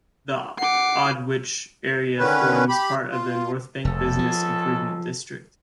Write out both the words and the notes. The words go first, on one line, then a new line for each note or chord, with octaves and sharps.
The Aldwych area forms part of the Northbank business improvement district.
F#5 D6 C7
D3 D#3 C#4 B4
G4 B5
F4
F1 C#2 A4
F3